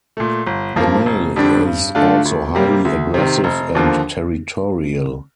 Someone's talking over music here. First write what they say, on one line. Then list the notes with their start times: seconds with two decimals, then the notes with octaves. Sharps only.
The male is also highly aggressive and territorial.
0.17 A#2 A3
0.46 G1
0.76 G2 F3 A#3
1.06 F1
1.36 F2 D3 G3 D4
1.65 G2
1.95 D3 A3 D4 F4
2.25 D2
2.55 C3 G3 A#3
2.85 D2
3.14 C3 D#3
3.44 F1
3.75 D#2 D3 F3 A#3